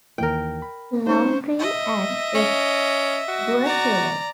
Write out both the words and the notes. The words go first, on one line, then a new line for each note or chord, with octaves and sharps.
Louandre and F. Bourquelot.
D#2 E3 A#3 A#4 G5
B5
G#3 C#4 D#4 C5 C#6
D#5 E5
C#4
F#4
D5 A#5